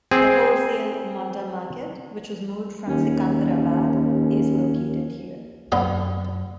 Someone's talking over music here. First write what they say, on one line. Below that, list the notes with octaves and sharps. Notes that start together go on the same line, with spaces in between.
The wholesale 'Monda Market' which was moved from Secunderabad is located here.
C4 G#4
D#2 C#4
F#2 D3 B3 F5